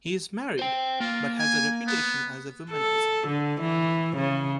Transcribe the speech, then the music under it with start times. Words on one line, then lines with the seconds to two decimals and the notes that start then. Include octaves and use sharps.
He is married, but has a reputation as a womaniser.
0.59 C5 G5
1.00 A#3 F4
1.39 G#5
1.87 B3
2.72 A4
3.27 D3
3.61 E3
4.17 C#3